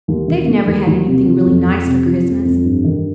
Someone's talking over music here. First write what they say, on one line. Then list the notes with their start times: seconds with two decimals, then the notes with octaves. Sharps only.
They've never had anything really nice for Christmas.
0.08 D#2
0.28 D#3
0.48 A3
0.67 D#2
0.87 D#2
1.07 C3
1.26 F3
1.46 F2
1.65 F2
1.85 C3
2.05 F3
2.25 F2
2.45 F2
2.65 G2
2.84 D#3